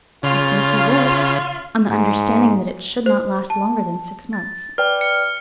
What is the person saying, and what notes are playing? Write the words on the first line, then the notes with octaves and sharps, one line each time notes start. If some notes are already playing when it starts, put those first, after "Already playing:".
"I think he would--on the understanding that it should not last longer than six months."
C#3 F4
G#2
C5
A5
A6
B4 D5 G5 F6
C#7